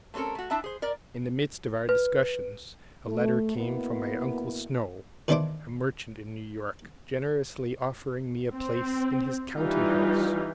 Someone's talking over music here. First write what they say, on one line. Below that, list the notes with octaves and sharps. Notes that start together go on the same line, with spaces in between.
In the midst of our discussions a letter came from my Uncle Snow, a merchant in New York, generously offering me a place in his counting-house.
A3 C4 C#4 A4 A#4
A3 F#4
D4 E4 E5 G5 A5
G#4 C5
A#4 D5
B4
A3
B2 A#3 B3 E4
D#3 E3 B3 D4 C5 D6
C4
E3 G3 D#4 F4